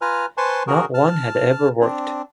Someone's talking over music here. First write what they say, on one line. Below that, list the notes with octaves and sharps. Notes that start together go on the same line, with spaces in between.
Not one had ever worked.
F4 B4 G#5 A#5 F6
B4 C5 G#5 A5 C6 C#6
F#4 G#4 A#4
A5 F6
C4 D4